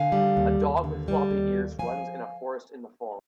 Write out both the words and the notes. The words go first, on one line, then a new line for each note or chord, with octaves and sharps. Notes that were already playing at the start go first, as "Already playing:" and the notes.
A dog with floppy ears runs in a forest in the fall.
Already playing: D3 F5 G#5
G3
D#2
D#2
D3
G3
D#2
D#2
F3 F5 G#5